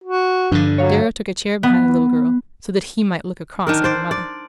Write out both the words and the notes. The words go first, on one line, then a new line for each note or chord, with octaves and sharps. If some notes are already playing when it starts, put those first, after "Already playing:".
Darrow took a chair behind the little girl, so that he might look across at her mother.
F#4
G2 D3 F3 D4
D4
F#3 C#5 F5
B3
D#3 D4 A#4
C5 D5
D5